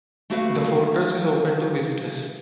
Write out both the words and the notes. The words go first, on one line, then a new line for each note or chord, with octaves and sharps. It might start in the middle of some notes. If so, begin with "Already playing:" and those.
The fortress is open to visitors.
A3 A#3 F#4 B4 E5 F5